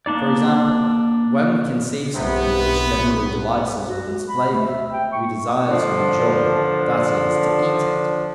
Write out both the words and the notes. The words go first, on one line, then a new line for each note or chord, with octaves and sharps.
For example, when we conceive something which generally delights us with its flavour, we desire to enjoy, that is, to eat it.
A#3 D4 D#4 D5
B1 C3 B3
F#4
G#3
B5
A3
E5
G5
C#6
D3 F3 D4